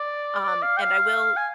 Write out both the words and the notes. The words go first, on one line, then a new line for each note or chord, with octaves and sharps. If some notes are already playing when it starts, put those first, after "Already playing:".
um, and I will
Already playing: D5
F5
G5
F5
G#5